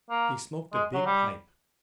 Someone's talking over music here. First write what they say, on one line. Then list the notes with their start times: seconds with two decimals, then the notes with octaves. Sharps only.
He smoked a big pipe.
0.11 A#3
0.74 G#3
0.94 F#3
1.06 G3